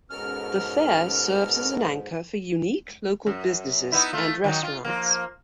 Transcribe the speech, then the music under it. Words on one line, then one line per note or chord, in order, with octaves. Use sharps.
The fair serves as an anchor for unique local businesses and restaurants.
G#2 B2 C#4 A4 A#4 F6
F#2
B3 D#4 E4
A3 F4
D#3 F#3 D#4
F4
F3 A#3